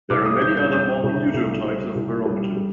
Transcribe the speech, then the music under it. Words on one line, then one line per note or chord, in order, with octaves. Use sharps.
There are many other more unusual types of barometer.
C2 D6
D#6
G3 G6
G6
G3 G6
C2
C2
G3
C2
G3
G3